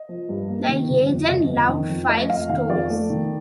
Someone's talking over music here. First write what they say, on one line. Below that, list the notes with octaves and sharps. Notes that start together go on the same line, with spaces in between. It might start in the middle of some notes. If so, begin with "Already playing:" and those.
The agent loved Files' stories.
Already playing: D#5
F3
G2
A#3
D#3
G1
F2
G1 D#5
F2
D#3
F2
A3 D#5
F2 F5
D#3 F5
F2 D5
A3
D#3